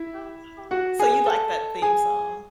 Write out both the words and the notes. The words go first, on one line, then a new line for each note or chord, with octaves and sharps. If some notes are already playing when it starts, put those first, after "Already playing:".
Uh-huh. So, you like that theme song?
Already playing: E4 E5
F#4 F#5
G#4 G#5
A4 A5
G#4 G#5